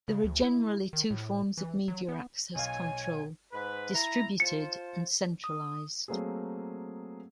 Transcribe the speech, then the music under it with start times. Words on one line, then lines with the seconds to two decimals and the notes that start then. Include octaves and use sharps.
There are generally two forms of media access control: distributed and centralized.
0.08 C#3
0.24 D2
0.43 E4
0.93 D#3
1.11 A2
1.58 E3
1.88 F#3
2.09 B3
2.55 B1 C#5 F5 G#5
3.52 G#2 B4
3.94 E4 A#5
4.40 F4 C5 A5 C#7
5.44 D#6
6.08 F#3 A3 A#3 C4 G#4